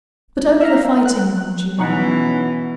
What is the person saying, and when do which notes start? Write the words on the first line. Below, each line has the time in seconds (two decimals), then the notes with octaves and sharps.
But only the fighting ones, you know.
0.61 E5 F5 A#5
1.06 F#6
1.79 B2 E3 C#4 D#4 F#5